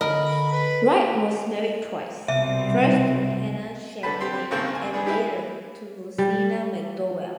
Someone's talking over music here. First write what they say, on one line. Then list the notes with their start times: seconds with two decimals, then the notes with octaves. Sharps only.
Wright was married twice: first to Hannah Chamberlain and later to Rosina McDowell.
0.01 D3 A#4 D#5 B5
0.53 B4
2.28 C2 B2 G3 C4 E5
4.03 D3 B4 A5 B5
4.21 C4 G4 C6
4.51 G#1 C#3 A#3 C4 G5 A5
4.75 F#2 G#5
4.93 B3 D4 G#4
5.06 D#4 E4 G4 G#4 B4 E5
6.18 G3